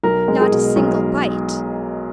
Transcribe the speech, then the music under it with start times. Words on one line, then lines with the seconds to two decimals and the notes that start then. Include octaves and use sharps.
Not a single bite.
0.03 B1 A#4
0.28 G#3
0.40 G#4
0.52 B2
0.76 B1